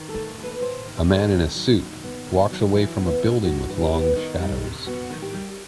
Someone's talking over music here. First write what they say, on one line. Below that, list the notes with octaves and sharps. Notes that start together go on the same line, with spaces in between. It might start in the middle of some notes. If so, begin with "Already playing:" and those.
A man in a suit walks away from a building with long shadows.
Already playing: D#3
A4
A3
D#2
B4
D#2 C5
D#3
C5
D#5
A3 C5
D#3 D#4
F#3
D#2
B3
D#3
F#3
E3 E4
B3
E4
G2
G2 F#4
E3
G4
B3
D#3 D#4
G3
C3
B3 F#4
D#3
G4
G3